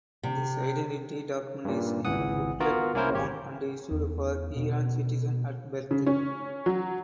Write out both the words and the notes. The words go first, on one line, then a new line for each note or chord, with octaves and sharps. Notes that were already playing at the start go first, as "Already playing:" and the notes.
This identity document is in booklet form and issued for Iran citizens at birth.
C3
G2 A#2
G#1 C#2 E3 F#5 D#6
B3 F4 F#4 A#4
C2 A#3 C#4 E4 A#4 C5
G#1 G4 C#5
E2
B2
C#3
C#4
F#3